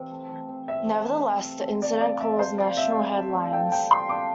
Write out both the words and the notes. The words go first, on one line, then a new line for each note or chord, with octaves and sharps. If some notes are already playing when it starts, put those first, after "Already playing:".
Nevertheless, the incident caused national headlines.
Already playing: C3 E3 C4
A3
E3
C4
C3 E5
A3
E3
C3
C3
A3
F3 D5
C3 D5
C3 E5
A3 C5
F3 D5
C3 E5
C3
A3
F3
A4 G5
G3 G5
F4 C6
D4 D6